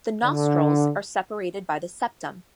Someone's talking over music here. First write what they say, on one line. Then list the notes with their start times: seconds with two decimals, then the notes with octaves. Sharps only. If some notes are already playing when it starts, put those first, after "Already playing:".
The nostrils are separated by the septum.
0.24 D3